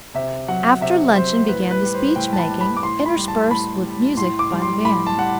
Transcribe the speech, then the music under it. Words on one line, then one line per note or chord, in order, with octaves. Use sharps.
After luncheon began the speech-making, interspersed with music by the band.
C3 E5
F#3 F#5
C3 E5
F#3 C5
A2 B4
B4
G3
C5
A2 G5
A5
B5
G3
B5
D6
A2 C6
B5
G3
A5
A2 B5
G3
A2 C6
D6
G3
C6
A2 B5
A5
G3 F#5